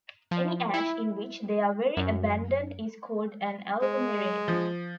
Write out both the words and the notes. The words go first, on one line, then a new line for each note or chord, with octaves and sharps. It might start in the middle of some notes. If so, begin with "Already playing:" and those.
Any ash in which they are very abundant is called an agglomerate.
F3
E4
F#2
G#3
F3